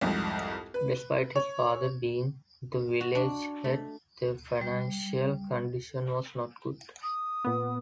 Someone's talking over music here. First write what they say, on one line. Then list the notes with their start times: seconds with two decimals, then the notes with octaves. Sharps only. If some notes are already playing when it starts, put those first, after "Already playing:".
Despite his father being the village head, their financial condition was not good.
0.01 C2 F2 G#2
0.74 B4
1.36 C#5
3.01 F#4
3.15 D4
3.64 A3
4.61 G3
7.03 D#6
7.45 A#2 B3